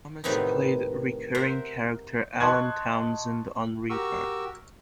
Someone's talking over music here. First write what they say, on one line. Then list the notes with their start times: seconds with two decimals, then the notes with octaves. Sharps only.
Thomas played recurring character Alan Townsend on "Reaper".
0.24 A2 C3 D#3 B3 D#4
1.35 A#4 C5 E5 F#5
2.40 D#5 A5 C6 C#6 F#6 G#6
3.90 F#4 G4 A#4 C#6 E6